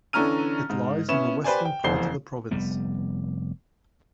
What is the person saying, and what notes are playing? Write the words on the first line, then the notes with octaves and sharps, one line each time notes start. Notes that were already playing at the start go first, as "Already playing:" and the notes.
It lies on the western part of the province.
D3 E3 C#4 A#5 F6 D#7
G#2
B3 C#4 E4 E7
G4 B4 C5 D5 G#5
G5
F1 E2 C5 C7 G7
F1 G3 B3